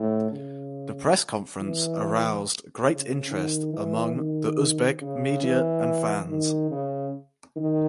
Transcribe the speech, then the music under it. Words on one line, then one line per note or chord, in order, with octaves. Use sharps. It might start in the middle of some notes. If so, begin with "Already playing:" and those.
The press conference aroused great interest among the Uzbek media and fans.
Already playing: A2
C#3
E3
C#3
D#3
E3
D#3
C#3
E3
D#3
C#3
D#3